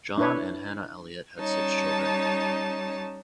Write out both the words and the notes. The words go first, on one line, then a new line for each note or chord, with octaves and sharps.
John and Hannah Eliot had six children.
D4 E4 B4 C#5
G3 C#4 D#4 C#5 A5